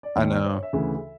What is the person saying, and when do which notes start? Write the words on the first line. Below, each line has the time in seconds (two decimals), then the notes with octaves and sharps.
I know.
0.03 D5
0.16 D#2 D#3 C#5
0.44 C5
0.53 C#5
0.63 E5
0.73 D2 C#3 E3